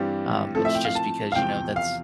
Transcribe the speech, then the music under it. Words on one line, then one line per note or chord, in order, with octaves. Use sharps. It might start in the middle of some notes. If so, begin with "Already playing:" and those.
Um, it's just because, you know, that's
Already playing: G2 E3 G3 C4 G4
A2 F3 A3 C4 A4
E5
G5
F5
A5
F5
E2 C3 F3 G5
F5